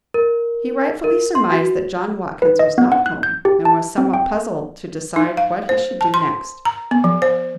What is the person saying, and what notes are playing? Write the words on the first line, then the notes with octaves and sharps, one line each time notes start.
He rightfully surmised that John Watkins was not home and was somewhat puzzled to decide what he should do next.
A#4
A#4
C6
F#4
B4
D#5
B3
F#5
F#6
G6
G4
A5
C4
G5
D#4
F5
C5
A5
C6
A#5
B3
F3
C5